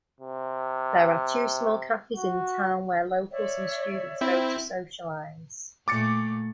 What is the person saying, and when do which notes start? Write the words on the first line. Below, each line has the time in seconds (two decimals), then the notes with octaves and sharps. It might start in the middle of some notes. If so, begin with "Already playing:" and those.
There are two small cafes in town where locals and students go to socialize.
0.21 C3
2.17 F#4
3.30 C#5 D5 E5
4.21 C4 E4
5.88 A#2 A3 D6 A6 C#7